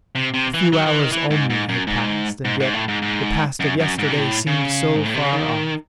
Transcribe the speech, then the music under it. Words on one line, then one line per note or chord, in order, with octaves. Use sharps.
A few hours only had passed, and yet the past of yesterday seemed so far off!
C3
C3
E3
F#3
E3
D#3
E3
G#2
G#2
F#2
G#2
G#2
G#2
A2
G#2
G#2
F#2
F#2
G#2
C3
A2
C#3
G#2
A2
C3
C#3
D#3